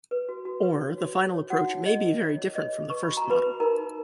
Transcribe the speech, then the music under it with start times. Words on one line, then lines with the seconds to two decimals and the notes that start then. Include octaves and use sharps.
Or, the final approach may be very different from the first model.
0.11 B4
0.29 F#4
0.45 F#4
0.63 B4
0.81 C#5
0.98 F#4
1.15 F#4
1.33 C#5
1.50 D#4 F#4 F#5
1.68 D#4
1.85 C#5 D#5
2.03 A#4
2.20 F4 C#5
2.38 F4
2.55 B4 D#5
2.73 G#4
2.90 B4 C#6
3.03 F#4 B5
3.17 A#5
3.25 F#4
3.30 B4 B5
3.43 B4
3.60 D#4 A#4 A#5
3.78 D#4